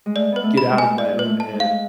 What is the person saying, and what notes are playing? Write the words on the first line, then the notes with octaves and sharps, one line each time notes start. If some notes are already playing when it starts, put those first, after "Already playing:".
get out of my own head,
G#3
A3 D5
B3 B4
A3
B5
G#3
G#5
D5
B4
A3
A5
G#3
F5